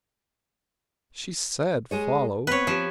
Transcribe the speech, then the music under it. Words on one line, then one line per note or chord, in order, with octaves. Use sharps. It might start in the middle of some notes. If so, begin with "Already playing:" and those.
"She said--follow."
G#3 G#4 C#5
B3 C4 B4 C#5
F3 C4 G4